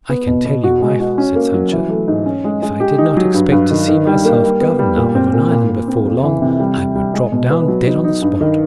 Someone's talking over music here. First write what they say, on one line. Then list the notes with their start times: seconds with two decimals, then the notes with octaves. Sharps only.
"I can tell you, wife," said Sancho, "if I did not expect to see myself governor of an island before long, I would drop down dead on the spot."
0.09 B3
0.27 B2
0.45 B2
0.64 F#4
0.82 G#3
1.00 F#4
1.18 C#4
1.35 A#3
1.54 F#3
1.72 E3
1.89 A3
2.08 G#2
2.26 C#4
2.44 G#3
2.62 G#3
2.80 G4
2.98 D#4
3.17 F#3
3.34 G2
3.52 G2
3.70 D#3
3.88 D#3
4.07 G3
4.25 A#3
4.43 G3
4.60 B3
4.79 G3
4.97 A#2
5.15 C4
5.34 A#2
5.51 A#2
5.69 A#2
5.88 C4
6.05 F2
6.24 E3
6.42 C3
6.60 G3
6.78 G3
6.95 G3
7.14 G#3
7.32 B2
7.50 B3
7.68 F#3
7.87 D#4
8.04 D#4
8.22 G2
8.41 D#3